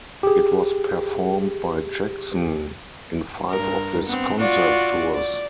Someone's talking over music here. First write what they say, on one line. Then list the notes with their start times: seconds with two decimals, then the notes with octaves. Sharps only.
It was performed by Jackson in five of his concert tours.
0.23 G4 G#4
3.50 G2 A#4
4.06 B3 C4
4.39 F4 F#4 D5
5.14 D5